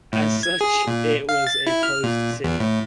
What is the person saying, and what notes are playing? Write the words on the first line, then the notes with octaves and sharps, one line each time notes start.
As such it was a closed city.
A2
G#6
G#4
A#2
F5
A6
E4
F6
A#2
E2
A2